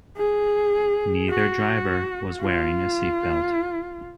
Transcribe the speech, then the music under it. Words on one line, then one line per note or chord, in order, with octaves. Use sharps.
Neither driver was wearing a seatbelt.
G#4
F#4
F4